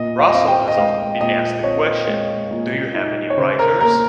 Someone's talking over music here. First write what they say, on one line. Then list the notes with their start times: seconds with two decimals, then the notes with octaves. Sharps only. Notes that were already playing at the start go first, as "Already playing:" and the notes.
Russell has often been asked the question, Do you have any writers?
Already playing: A#2 D#5
0.19 F5
0.27 D#5
0.33 C4 F5
0.48 G5
0.68 D#5
0.77 G#3 F5
1.20 A#2 D#5
1.64 C4 C#5
2.07 G#3
2.51 A#2
2.94 D#4
3.30 C#5
3.37 C#3 C5
3.59 A#4
3.81 A#3 A#4